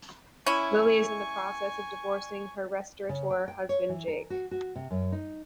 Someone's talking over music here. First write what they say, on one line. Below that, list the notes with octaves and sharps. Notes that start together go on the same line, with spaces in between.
Lily is in the process of divorcing her restaurateur husband, Jake.
C#4 E4 G#5 C#6
C#3
G5
G5
C#5
E3
A#4
F#4
F#4
C3
F#2
D#4